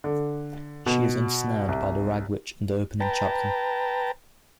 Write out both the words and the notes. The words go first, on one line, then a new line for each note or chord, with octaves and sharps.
She is ensnared by the Ragwitch in the opening chapter.
D3
B2
C2
B4 G5 A5 A#5